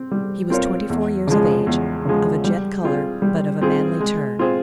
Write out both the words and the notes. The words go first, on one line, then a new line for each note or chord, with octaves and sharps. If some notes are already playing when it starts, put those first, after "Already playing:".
He was twenty-four years of age, of a jet color, but of a manly turn.
Already playing: C4
G3
C4 F4 A#4 C#5
E2
C#3 F3 G#3
E2
C#3 F3 G#3
G3
C4 F4 G#4
G3
C4 F4 G#4
G#3
C4 F4 G#4 C5